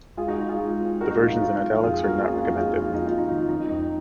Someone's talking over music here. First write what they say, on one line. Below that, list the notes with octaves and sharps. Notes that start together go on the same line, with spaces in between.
The versions in italics are not recommended.
G#3 F4 G#4
D#4 F#4
G#3 F4
F4 G#4
G#3
C4
G#3 F#4 A#4
D#4 F#4
F3 F4
F4
G#3 F4
F3
F2 F4 G#4
A#3 F#4 A#4
C#4 F4 G#4
F4
F2 D#4 F#4
F4 G#4
F2
F4
F2
D#4
A#3 F4
D#4
D#3 D#4
F4
C#4 D#4
F2 D#4